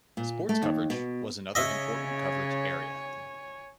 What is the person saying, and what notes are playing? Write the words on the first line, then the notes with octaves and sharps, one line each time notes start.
Sports coverage was another important coverage area.
A#2
A3
D#2
B2
C#3 C#5 D#5 E5 G#5